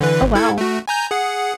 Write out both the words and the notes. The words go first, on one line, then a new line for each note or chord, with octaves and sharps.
Oh wow.
D3 E3 B4
G#1
E4 A4 G#6
A3 F#4
G#5 A#5 G6
G#4 F#5